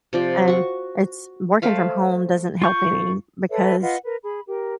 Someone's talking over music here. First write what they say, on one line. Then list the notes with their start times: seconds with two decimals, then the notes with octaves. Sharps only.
and it's working from home doesn't help any because
0.13 C3 F3 D5
0.48 F#4 C#6
1.62 A3 C5 F5 B5
2.62 F4 C#6 G6
3.50 A4 B4 C#5 E5
3.82 F4 B4 D#5 F#5
4.04 A#4 B4
4.24 G#4 B5
4.47 G4 A#4